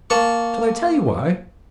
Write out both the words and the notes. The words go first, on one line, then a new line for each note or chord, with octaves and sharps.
Shall I tell you why?
A#3 A5 C#6